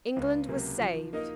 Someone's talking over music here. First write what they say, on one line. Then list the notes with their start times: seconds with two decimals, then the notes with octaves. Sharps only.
England was saved.
0.16 C#2
0.48 C3 F#3 A#3 C#4
0.80 F3
1.13 A#3 D#4 A#4 D#5